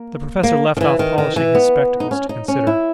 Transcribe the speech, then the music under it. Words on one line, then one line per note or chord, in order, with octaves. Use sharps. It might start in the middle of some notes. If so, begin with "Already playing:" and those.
The Professor left off polishing his spectacles to consider.
Already playing: A#3
A#3
D#3
E3
D#3
D#3
E3
B3
D#4
C#4
D#4
C#4
E4